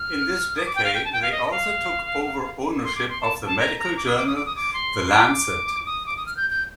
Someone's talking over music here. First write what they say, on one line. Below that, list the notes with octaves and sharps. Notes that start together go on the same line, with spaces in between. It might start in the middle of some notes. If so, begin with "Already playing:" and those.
In this decade they also took over ownership of the medical journal, "The Lancet".
Already playing: F6
D#6
D6
G5
F5
G5
A5
G5
F5
D#5
D#5
F5
C6
D6
C6
A5
A5
A#5
A#5
D6
D#6
D6
D#6
D6
D#6
D6
C6
D6
D#6
D6
D#6
F6
G6
G6